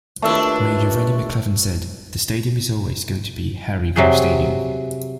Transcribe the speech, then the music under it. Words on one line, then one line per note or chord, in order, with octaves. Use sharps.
Mayor Randy McClement said, The stadium is always going to be Harry Grove Stadium.
D#2 A3 D4 E4 F4 B4 A5 E6
C3 F#3 G#4